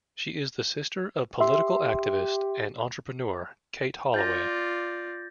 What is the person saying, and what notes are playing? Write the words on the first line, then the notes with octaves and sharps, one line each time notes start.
She is the sister of political activist and entrepreneur Kate Holloway.
G4 E5 C6
F4 D5 G6 A6 A#6